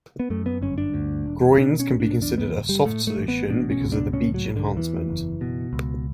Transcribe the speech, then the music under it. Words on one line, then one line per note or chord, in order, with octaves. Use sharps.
Groynes can be considered a "soft" solution because of the beach enhancement.
B3
F#2 A3
B3
G1 C#4
D4
D2
E1
B2 D4
C#4
B1
D4
E2 D4
B3
F#1
G3
A2 A3
A3
A1
B3
B2 D4
C#4
C#2
D4
A2 C#4
F#3
B1
D3
E2 E3
F#1
B2
C#2